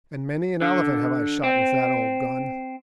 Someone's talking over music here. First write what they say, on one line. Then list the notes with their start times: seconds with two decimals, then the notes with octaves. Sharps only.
And many an elephant have I shot with that old gun.
0.62 D3
1.44 C4